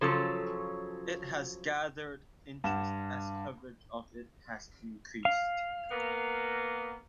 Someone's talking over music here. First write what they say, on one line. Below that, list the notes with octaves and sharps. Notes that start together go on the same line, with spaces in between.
It has gathered interest as coverage of it has increased.
C#3 F3 F#3 C#4 F4 A4
G2 F#5 E7
F5
A#3 B3